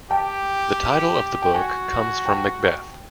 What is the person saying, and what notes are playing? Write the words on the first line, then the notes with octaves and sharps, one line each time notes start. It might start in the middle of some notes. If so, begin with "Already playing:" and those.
The title of the book comes from "Macbeth".
G4 G5 A5
G5
F#4 F#5 G#5
G5 A5